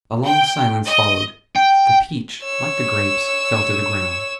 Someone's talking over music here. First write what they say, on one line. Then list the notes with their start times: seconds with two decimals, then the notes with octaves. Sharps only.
A long silence followed; the peach, like the grapes, fell to the ground.
0.24 G5
0.85 D#5
1.56 G5
2.44 C#5 E6